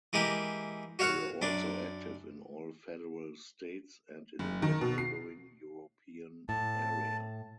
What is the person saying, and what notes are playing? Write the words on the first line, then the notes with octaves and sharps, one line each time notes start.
They were also active in all federal states and in the neighboring European area.
E3 G#3 A#3 G4
F#4 C#5 F5 F#5 C#6
F#2 D4
F#1
D#3
B2
C7
A2 A5